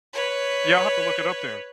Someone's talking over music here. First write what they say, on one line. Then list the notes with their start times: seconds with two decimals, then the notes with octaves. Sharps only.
Yeah, I'll have to look it up then.
0.13 B4 C#5